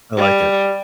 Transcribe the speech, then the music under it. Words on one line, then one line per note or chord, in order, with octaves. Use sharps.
I like it.
G3